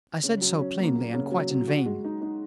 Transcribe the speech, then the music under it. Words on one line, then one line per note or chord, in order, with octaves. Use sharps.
I said so plainly--and quite in vain.
C#3
F#3
C#4
A#3
A#3
C#3
F#3
F#3
F#4
G#3
D#4
D#4